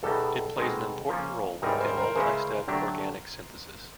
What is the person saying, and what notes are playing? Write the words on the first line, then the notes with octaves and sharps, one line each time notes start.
It plays an important role in multistep organic synthesis.
E2 B2 G3 B3 D#4 A4
B2 G#3 C4 D#4
F3 A#3 C#4
G#2 E3 G3 C4 D#4 A#4
C#5
A#4 C5
A#4 C5
C#3 E3 G#3 C#4 E4 A#4 C5
D3 F#3 A3 D4 G4